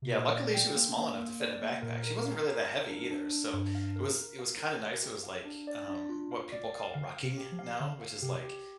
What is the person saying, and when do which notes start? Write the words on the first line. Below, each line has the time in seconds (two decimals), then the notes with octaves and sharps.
Yeah, luckily, she was small enough to fit in a backpack. She wasn't really that heavy either, so it was it was kinda nice, it was like, um, what people call rucking now, which is, like,
0.02 C3
0.11 A#2 A#3
0.34 D5
0.54 G5
0.76 A#3
0.97 A#3
1.18 A#3
1.40 D5
1.61 A#3
1.82 A#2 A#4
2.04 A#4
2.26 F5
2.47 A#4
2.68 F5
2.89 D4
3.11 D4
3.32 D4
3.53 G2 D4
3.75 F5
3.96 A#4
4.18 A#4
4.39 F5
4.60 A#4
4.82 F5
5.03 G4
5.23 F5
5.45 D4
5.67 D5
5.88 D4
6.09 F4
6.31 F5
6.52 D5
6.74 F5
6.94 D3 F5
7.17 F5
7.23 C3
7.37 G4
7.52 F3
7.59 F5
7.80 D3 F5
8.01 F5
8.22 C3 G4
8.44 G4